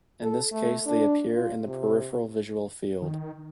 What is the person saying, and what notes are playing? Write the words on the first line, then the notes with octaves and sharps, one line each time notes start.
In this case they appear in the peripheral visual field.
A4
A3
D4
F4
C3
D#3